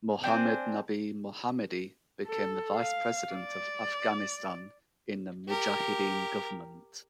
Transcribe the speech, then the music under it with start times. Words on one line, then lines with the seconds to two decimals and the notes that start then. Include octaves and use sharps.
Mohammad Nabi Mohammadi became the Vice President of Afghanistan in the Mujahideen government.
0.24 C4 D4 C5 G#5
2.26 A4
2.76 F5
3.34 D5
5.48 G4 A#4